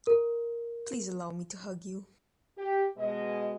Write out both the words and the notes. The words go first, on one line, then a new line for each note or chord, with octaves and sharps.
Please allow me to hug you.
A#4
G4
B2 G#3 D#5